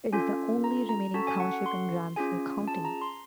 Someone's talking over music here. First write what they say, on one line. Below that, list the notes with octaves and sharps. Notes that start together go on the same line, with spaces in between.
It is the only remaining township in Ramsey County.
C#4 F4 A4 G#5
A#5
A#5
C#4 F#4 A4 A5
G#5
F#5
F#5
C6
C#4 F4 G#4 G#5
A5
A#5
C6